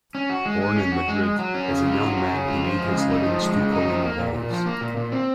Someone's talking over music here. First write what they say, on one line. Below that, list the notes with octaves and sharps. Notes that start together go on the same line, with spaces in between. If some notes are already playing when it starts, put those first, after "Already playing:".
Born in Madrid, as a young man he made his living stuccoing walls.
C#4
F#4
G#3
G#3
C#4
F#4
G#3
G#3
F#3
C#4
C#3
F4
F#3
C#4
C#3
F4
F3
G#3
C#3
D#4
F3
G#3
C#3
D#4
F3
A#3
A#2
A#2
F3
A#3
A#2
A#2
C4